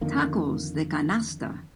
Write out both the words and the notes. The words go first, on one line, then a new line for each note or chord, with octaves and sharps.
Tacos de canasta!
F2 D3 D#3 A#3